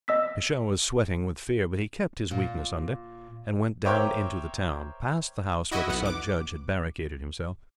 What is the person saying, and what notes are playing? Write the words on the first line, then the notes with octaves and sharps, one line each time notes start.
Michele was sweating with fear, but he kept his weakness under, and went down into the town, past the house where the Sub-Judge had barricaded himself.
D#5 E6 B6
A#2
A#4 C5 C#5 E5 G5 D6
E4 F#4 D#5 E5
B1 B3 F#5
D6